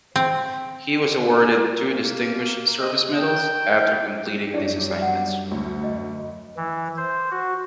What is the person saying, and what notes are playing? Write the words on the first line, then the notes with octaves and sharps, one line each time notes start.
He was awarded two Distinguished Service Medals after completing these assignments.
C4
A#3
D#5
G5
F#2 G3 D4 C#5 D5
F#5
D2
F#2 D#5
E3
C5
F#4